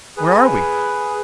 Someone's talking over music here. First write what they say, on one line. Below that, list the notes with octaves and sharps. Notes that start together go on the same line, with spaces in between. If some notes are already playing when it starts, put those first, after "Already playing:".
"Where are we?"
G#4 B4